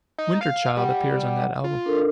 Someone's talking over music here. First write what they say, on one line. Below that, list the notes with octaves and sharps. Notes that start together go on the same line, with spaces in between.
"Winter Child" appears on that album.
D#4
F5
G3 F#5
F4
D4 A4 A#4